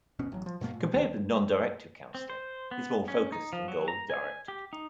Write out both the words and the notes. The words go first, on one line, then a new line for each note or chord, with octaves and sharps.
Compared with non-directive counseling, it's more focused and goal-directed.
D1 G1 B2 C#4
A1 F#3
F3
G2 B2 A3 A#3
A#2
C#2 D#3 G3
C4
C5
B3
C#4
D#4
F3
F#3
A#5
G#5
G4
D#4